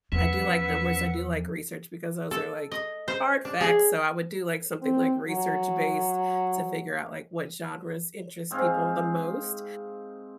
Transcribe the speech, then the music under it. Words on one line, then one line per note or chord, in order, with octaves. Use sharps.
I do like numbers, I do like research because those are, like, hard facts, so I would do, like, something, like, research-based to figure out, like, what genres interest people the most,
E2 E3 F3 C#4 B4 F#5 E6
A4
D#5
C5
D4
G#4
C4
F#3
G#2 C4 G#4 F5